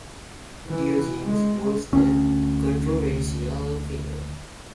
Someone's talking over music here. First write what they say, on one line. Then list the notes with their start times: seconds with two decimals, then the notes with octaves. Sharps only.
Diogenes was a controversial figure.
0.67 E3
1.23 G#3
1.93 D2 C#4